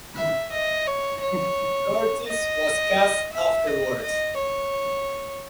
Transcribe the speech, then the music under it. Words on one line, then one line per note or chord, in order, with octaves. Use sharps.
Curtis was cast afterwards.
E5
D#5
C#5
C#5
D#5
E5
D#5
D#5
C#5